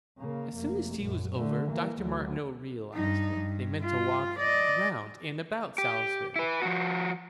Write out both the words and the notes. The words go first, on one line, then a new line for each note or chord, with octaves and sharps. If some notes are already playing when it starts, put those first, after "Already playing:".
As soon as tea was over, Dr. Martineau realized, they meant to walk round and about Salisbury.
C#3 A#3
F1 A#3
A#1 F#2
D3 A3
E3 A#3
D2 F#3
G2 D#4
G2
F4
D5 D#5
G4
E4 B4
F3 F#4